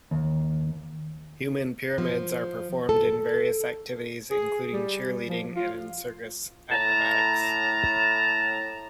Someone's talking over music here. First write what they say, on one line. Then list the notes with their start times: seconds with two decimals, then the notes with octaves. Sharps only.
Human pyramids are performed in various activities, including cheerleading and in circus acrobatics.
0.11 D#2
1.98 F3
2.89 A4
4.31 G#4
4.73 G3
5.27 F3
5.56 F4
6.70 A2 A5 A#5